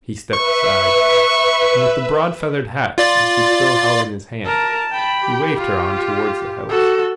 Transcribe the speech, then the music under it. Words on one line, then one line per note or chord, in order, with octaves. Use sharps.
He stepped aside, and with the broad feathered hat which he still held in his hand, he waved her on towards the house.
B4 E5 C#6
F4 D5 A6
A#4 A5
G5 B5
G4
F4
F#4 A4